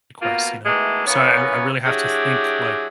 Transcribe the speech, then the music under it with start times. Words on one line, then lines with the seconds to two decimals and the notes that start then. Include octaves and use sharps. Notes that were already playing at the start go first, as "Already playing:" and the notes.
quests, you know? So I I really have to think, like,
0.22 B2 A#3 F4
0.66 B2 D#3 E3 G#3 A3
1.07 F#2 E3 A#3 B3 C#4 C#5
1.86 F#3 D4 E4 G4 G#4